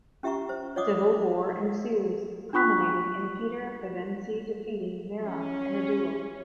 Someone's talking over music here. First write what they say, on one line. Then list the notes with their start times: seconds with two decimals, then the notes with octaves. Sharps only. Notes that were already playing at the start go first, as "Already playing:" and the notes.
Civil war ensues, culminating in Peter Pevensie defeating Miraz in a duel.
0.23 C#4 G4 E5 F#5 A#5 C#6
0.49 C5
0.76 C#5 D#5 F#5 D6 D#6
2.53 D4 F4 C#6 F#6 B6
5.29 C#4